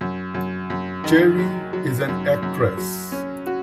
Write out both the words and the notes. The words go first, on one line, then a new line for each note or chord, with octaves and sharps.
Cherie is an actress.
F#2
F#2
F#2
D#3
F#3
F#3
F#2
F#2
F#3
C#4
F#4